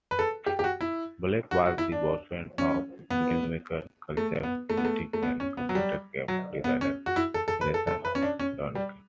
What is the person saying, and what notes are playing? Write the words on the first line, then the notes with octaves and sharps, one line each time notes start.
Blake was the boyfriend of filmmaker, cultural critic and computer game designer Theresa Duncan.
B4
A4
G4
G4
F#4
E4
F#4
F#4
E4
D4
C#4
B3
A3
B3
A3
B3
A3
A3
B3
C#4
B3
F#3
G3
F#3
B3
C#4
F#4
E4
A4
A4
B4
A4
A4
B4
C#4
D4
C#4
G3